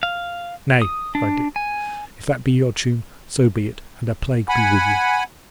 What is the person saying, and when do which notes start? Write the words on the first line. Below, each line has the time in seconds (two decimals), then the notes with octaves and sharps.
"Nay," cried Dick, "if that be your tune, so be it, and a plague be with you!"
0.03 F5
0.82 D#6
1.15 D4
1.56 G#5
4.49 F#5 G#5 B5